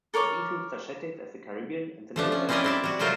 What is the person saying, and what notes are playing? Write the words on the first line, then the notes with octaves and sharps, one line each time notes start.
It includes such settings as the Caribbean and the Mediterranean.
A4 A#4 C#5 D6
F3 A3 D4
C#4
C4 C#4 E4 A#4 D5 D#5
C4 E4 D5
G3 F#4
C3 F#3 A3 F4 A#4 C5